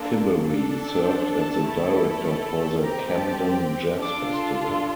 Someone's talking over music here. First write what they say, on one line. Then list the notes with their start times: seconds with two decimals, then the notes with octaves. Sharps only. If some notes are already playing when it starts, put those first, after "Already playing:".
Tiberi served as the director for the Camden Jazz Festival.
Already playing: A#3 D4 F4 A4
0.43 D4 A4
1.03 C5
1.32 A5
1.63 A3 E4 A4
2.83 C4 G4 A#5
3.13 A5
4.02 D4 F4 A4 D6
4.32 C6
4.62 C6